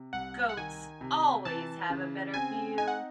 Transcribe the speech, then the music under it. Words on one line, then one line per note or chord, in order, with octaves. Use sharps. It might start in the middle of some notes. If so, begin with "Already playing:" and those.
Goats always have a better view.
Already playing: C3
C2 F#5
F#5
D#3 G#5
C3
E3 A5
C#3
C4 G#5
D#4 G#5
F#5